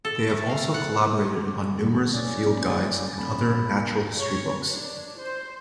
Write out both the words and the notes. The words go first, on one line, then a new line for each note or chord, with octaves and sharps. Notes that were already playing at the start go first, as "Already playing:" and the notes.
They have also collaborated on numerous field guides and other natural history books.
A4
A3
F5
F#5
F#4 A4
D#2
F#1 C#4 D5
D#1 A5 B5
A#1
C#5
D4
C5